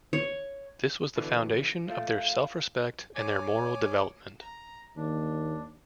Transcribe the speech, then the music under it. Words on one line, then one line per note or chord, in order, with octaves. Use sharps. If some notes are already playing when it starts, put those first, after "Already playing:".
This was the foundation of their self-respect and their moral development.
C#5
B2 D3 E3
F3 A3 F5
C#5 G#5 D6
A#5
D#2 D4